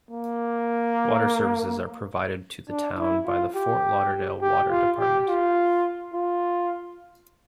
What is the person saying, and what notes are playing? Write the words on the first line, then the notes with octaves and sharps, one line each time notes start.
Water services are provided to the town by the Fort Lauderdale Water Department.
A#3
D4
E4
F4
G4
G4
F4
G4
F4
F4